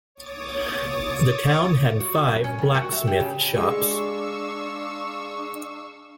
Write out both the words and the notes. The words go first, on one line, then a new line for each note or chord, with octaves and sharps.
The town had five blacksmith shops.
C#5 D6 D#6 A6
F#4
B3
F#2
C#4
D#2
F#4
E5
G4
C#3
G#3 D4 F5 C#6 E6